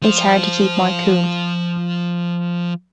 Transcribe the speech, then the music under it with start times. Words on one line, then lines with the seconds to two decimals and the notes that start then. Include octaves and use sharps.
It's hard to keep my cool.
0.02 F3 C5